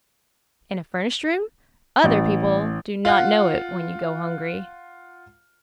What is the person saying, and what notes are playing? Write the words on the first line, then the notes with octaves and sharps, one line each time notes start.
In a furnished room, other people do not know it when you go hungry.
A1
F4 F#5